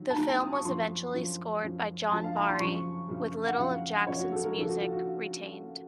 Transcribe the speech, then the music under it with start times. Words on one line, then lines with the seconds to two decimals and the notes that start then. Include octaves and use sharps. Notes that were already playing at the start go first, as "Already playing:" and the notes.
The film was eventually scored by John Barry, with little of Jackson's music retained.
Already playing: D#2 D#3 F#3
0.11 A5
0.16 D#2 D#3 F#3 A#5
0.28 A5
0.41 D#6
0.53 C#6
0.65 F#2 F3 C6
1.14 F#2 F3
1.63 F#2 F3
2.11 F#2 F3 A5
2.24 F5
2.36 A#5
2.49 C6
2.60 F#2 C#3 F3 C#6
3.09 F#2 C#3 F3
3.46 F#5
3.57 F#2 C#3 F3 F5
4.07 F#2 C#3 F3 C#5
4.19 F#4
4.32 A4
4.44 A#4
4.56 D#2 C#3 F3 A4
4.68 F#4
4.80 F4
4.92 F#4